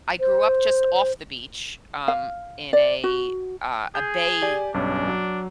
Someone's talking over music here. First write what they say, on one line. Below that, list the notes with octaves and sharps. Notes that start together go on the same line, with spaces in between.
I grew up just off the beach, um, in a, uh, a bay
C5
F5
D5
F#4
G#4 G6
G4 D5 G#5
B1 G2 C#4 D4
F#3